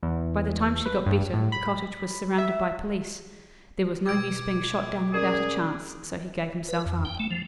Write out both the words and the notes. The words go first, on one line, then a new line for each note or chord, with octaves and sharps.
By the time she got better the cottage was surrounded by police; there was no use being shot down without a chance, so he gave himself up.
E2
B4
G2
A2
B5
E5
B2 D6 E6 G#6 D7
C#4 G#4 A#4 D5
B4
F2
G5
A3
F3